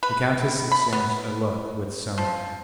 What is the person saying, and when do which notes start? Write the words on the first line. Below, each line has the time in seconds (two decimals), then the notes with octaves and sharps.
The countess exchanged a look with Sonya.
0.03 B4
0.72 B5
0.93 B3
2.18 F3